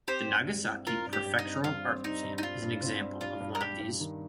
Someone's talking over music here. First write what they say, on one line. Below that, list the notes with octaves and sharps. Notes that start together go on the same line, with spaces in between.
The Nagasaki Prefectural Art Museum is an example of one of these.
C4 G4 C5
G2
G3
C4
C4 F4 A#4
G2
G4
G2
D#4
C4
G3 F4
C4
G3 D#4
G2
D#4
G3 F4
G2
C4
G3
G2 F4
G2
A#4
G2 G4
G2
D#3